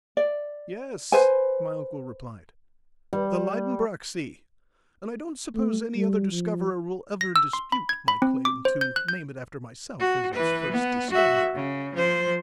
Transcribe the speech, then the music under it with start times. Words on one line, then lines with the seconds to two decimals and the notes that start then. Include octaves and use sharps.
"Yes," my uncle replied, "the Liedenbrock Sea; and I don't suppose any other discoverer will ever dispute my claim to name it after myself as its first discoverer."
0.17 D5
1.12 B4 C5 G#5
3.13 G3
5.55 A3
5.96 G3
6.32 F3
7.21 A#6
7.36 E6
7.53 C6
7.72 B5
7.89 G#6
8.08 B5
8.22 C4
8.45 D6
8.65 C5
8.81 G6
8.96 F#6
9.09 G6
9.99 F#4
10.33 E3 B4
10.71 B3
11.10 F#4 E5
11.55 C#3
11.94 F3 C5